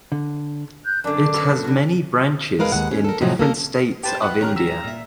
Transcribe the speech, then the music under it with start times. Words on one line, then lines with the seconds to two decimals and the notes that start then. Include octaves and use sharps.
It has many branches in different states of India.
0.12 D3
0.85 F#6 G6
1.04 F#2 D3 D4 D6
1.35 F#3 B3 A4
1.64 D3 F#4
2.59 F2 G#3 A#4 B4 F5
2.72 D#2 G#3 F#5
2.91 C#4
3.04 A4 A#4
3.21 F2 A2 C3 F3 F#3 D#4
3.39 A#3 A4 A#4
4.03 G4 B4 C5 G5 A5
4.22 F4 B4 D#5 E5 F#5 B5 F#6
4.41 D#3 C#4 G4 A#5 F6
4.56 F#3 G#4 A#5 E6 B6 E7
4.84 A#2 E5